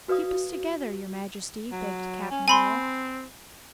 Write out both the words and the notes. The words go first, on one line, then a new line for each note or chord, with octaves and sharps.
"Keep us together, your Majesty," begged Cap'n Bill.
F#4 B4 D5 F5 D#6
F#3
C#4
C4 G#5 B5 C6